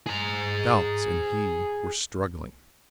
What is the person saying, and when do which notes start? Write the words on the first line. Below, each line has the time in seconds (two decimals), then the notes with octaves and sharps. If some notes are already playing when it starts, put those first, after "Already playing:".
Doubts and he were struggling.
0.07 G#4 A#5